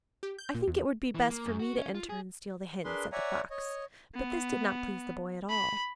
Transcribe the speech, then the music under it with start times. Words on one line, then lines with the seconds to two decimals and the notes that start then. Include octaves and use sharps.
'I think it would be best for me to enter and steal the hens,' said the fox; but this did not please the boy at all.
0.23 G4
0.38 G6
0.55 A#2
0.68 E2
1.15 E3
1.30 A#3
1.46 F#2
1.59 F#4
1.77 C#4
1.95 F4
2.09 G#4
2.84 D4 G#4 A#4 B4 C6
3.12 C#5 D5 E5 F#5 G#5 A#5
3.50 C#5 D#5
4.15 B3
5.50 B5